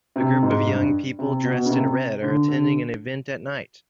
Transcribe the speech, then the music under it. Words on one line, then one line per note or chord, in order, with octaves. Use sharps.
A group of young people dressed in red are attending an event at night.
C3
G#2
G2
C3
B2
C#3
C3
D3
D3